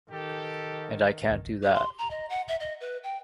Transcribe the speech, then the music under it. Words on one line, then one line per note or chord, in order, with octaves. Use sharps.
And I can't do that.
D#3 G4 A4
G4
C6
A#5
D#5
F#5
E5
D#5
B4
G5